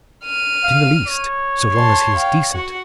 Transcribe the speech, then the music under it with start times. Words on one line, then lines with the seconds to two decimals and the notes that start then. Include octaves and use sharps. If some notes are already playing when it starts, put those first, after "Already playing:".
"Not in the least, so long as he is decent."
0.25 F6 D#7
0.64 F5
1.07 C#5
1.74 A5 C6
2.16 F5 G5
2.53 F#4 F#5